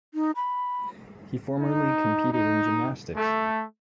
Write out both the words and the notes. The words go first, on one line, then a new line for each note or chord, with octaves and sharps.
He formerly competed in gymnastics.
D#4
B5
D#4
D#4
A3